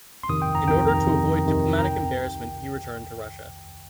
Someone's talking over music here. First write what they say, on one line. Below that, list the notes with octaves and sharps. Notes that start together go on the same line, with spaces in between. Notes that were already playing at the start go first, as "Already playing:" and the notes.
In order to avoid diplomatic embarrassment he returned to Russia.
C6
F2 C3 D#3 D#6
G5
A#5
F2 C3 D#3 G5
A#5
F2 C3 D#3
F2 C3 D#3
A#5
G5